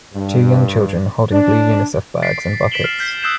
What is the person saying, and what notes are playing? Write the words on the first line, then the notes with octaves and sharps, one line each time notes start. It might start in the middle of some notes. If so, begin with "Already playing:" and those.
Two young children holding blue Unicef bags and buckets.
G2
D4
A6 B6 C7 D7
B6 C7 D7 E7 F#7 G7
F6 C7 E7
F6 G6 B6 C7
D#6 E6 F#6 G6 C7 E7